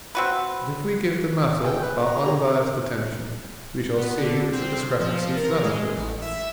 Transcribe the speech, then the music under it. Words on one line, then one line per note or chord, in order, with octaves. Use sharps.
But if we give the matter our unbiased attention, we shall see that the discrepancy vanishes.
C4 F#4 B4
C#3 E3 G#4 G5
B4
A#5
G4 A#4 C#5
B3
D3
C4
C3
F3
F3
A#4
G#3
A1
E5